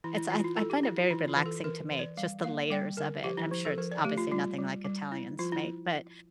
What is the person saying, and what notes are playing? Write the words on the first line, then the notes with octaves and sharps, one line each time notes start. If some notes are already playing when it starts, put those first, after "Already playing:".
it's I I find it very relaxing to make, just the layers of it, and I'm sure it's obviously nothing like Italians make, but
E3 E4
E4
E3 F4
E4
F4
E4 A4
G4
E4
F4
E3 E4
F4
E3
A4
E3 A#4
E3
D5
G3 F5
A#3 F5
G3 G5
D3 A#4
F3 G4
E4
F3
A4
F3 A#4
D5
A3 G4
F4
G3 F4
G3
G3
E4
F3 F4
E4